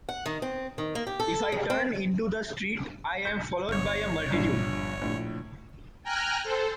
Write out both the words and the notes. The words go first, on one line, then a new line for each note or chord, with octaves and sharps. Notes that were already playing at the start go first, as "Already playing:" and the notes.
If I turn into the street, I am followed by a multitude.
F#5
D#3
C4
D#3
A#3
G4
A4
C#3
C4
G6 C#7
G1 C#5
A#1 G2
A#1 A2
G5 G#5 A#5 F6 F#6 A#6
A4 C5